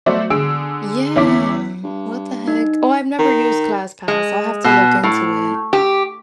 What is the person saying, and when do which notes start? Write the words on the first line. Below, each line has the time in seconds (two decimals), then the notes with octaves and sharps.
yeah, what the heck? Oh, I've never used ClassPass. I'll have to look into it.
0.06 F#3 A3 F#4 C5 D5 E5
0.30 D3 G#4 E6 D7
1.16 E2 C#4 E4 D6 B6
1.84 G2
2.48 D#4
3.19 D#3
4.08 G#3
4.64 B2
5.03 A2
5.73 G4